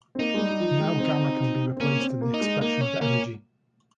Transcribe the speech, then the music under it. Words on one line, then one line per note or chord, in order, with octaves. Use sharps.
Now, gamma can be replaced in the expression of energy.
C4
A#3 D#4
G#3
G3
G3
F3
G#3
C4
C4
A#3 C#4
C4
A#3
D#4
G#3
A#3 D#4
C#4
A#3 C#4